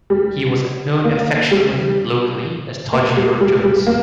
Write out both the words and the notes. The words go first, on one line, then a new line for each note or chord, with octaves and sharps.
He was known affectionately locally as 'Todger' Jones.
G3
A#3
G3
A#3
G3
G3
G3
A#3